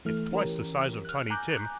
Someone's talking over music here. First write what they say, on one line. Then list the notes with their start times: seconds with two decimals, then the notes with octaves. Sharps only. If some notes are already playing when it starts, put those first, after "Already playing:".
It's twice the size of Tiny Tim.
0.05 E3 A3 F6
0.31 E3 C#4 G4 A#4
1.05 F6 F#6
1.30 G#5 A#5 D6 F#6 G6